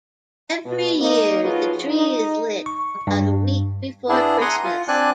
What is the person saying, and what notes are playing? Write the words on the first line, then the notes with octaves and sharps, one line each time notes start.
Every year, the tree is lit about a week before Christmas.
B2
A#3 D#4
F3 F4 F#4 G#4 B4 C#5
D#4
C#6
G2
B3 D4 E4 G#4
F#5 G#5 A#5 C6 D#6
F4
C4 D4 D5 G#5 F#6